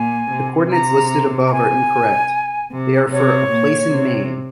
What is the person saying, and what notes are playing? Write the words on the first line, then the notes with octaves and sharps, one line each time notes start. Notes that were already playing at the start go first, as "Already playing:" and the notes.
The coordinates listed above are incorrect, they are for a place in Maine.
Already playing: A#2 G#5
C3
A#5
A#5
G#5
C3
C3 C#5
A#2
C3